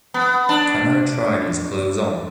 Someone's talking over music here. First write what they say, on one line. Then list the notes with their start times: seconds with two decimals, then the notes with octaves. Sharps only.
Can I try these clothes on?
0.14 B3
0.49 D4